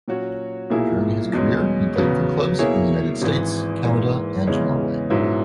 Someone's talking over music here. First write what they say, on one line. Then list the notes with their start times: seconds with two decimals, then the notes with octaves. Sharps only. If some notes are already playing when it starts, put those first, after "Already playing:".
During his career, he played for clubs in the United States, Canada, and Norway.
0.08 A#2 F#3 C#4 F#4 C#5
0.70 B1 A#2 A#3 E4 G#4
1.33 E2 B2 G#3 C#4
1.96 E2 C#3 F#3 B3
2.59 B2 A#3 E4 G#4 C#5
3.21 G#1 G#2 E3
3.84 G#2 E3 A#3
4.47 E2 C#3 E3 G#3 C#4
5.10 A#1 G#2 F#3 B3 E4